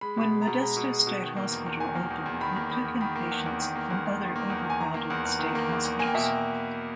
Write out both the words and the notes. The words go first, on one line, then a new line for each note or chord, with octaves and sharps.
When Modesto State Hospital opened it took in patients from other overcrowded State Hospitals.
G#3 B5
B2 B5
G#3
A#5
B2
B5
G#3 A#5
B2
G#3
B2
D#3
A#3
E2
E2
D#3 G#5
A#3
E2
E2
D#3 B5
A#3
E2 B5
E2
D#3 B5
A#3
E2
E2
D#3
A#3
E2
E2
D#3
A#3
E2
E2
G#5
D#3 A#5
A#3
E2
E2
D#3
A#3
E2
E2
A#3 G#5
G5
B2 E5
G5